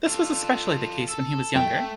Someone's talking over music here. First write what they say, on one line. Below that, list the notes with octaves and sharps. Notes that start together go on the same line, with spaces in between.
This was especially the case when he was younger.
F4 A4
A4
A3 G5